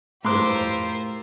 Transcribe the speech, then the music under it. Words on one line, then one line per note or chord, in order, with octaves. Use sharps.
Yes, sir.
A2 E4 F4 G4 A#4 C5 C6 D6